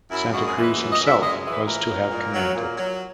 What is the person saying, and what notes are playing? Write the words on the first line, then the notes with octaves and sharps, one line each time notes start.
Santa Cruz himself was to have commanded.
F#2 E4
G#3 F#4
G#4
E3
B4
F#2
D#5
F#2
E5
G#3 D#5
E3
B4
A#2 A#4
F#3
A#2
F#3
A#2
F#3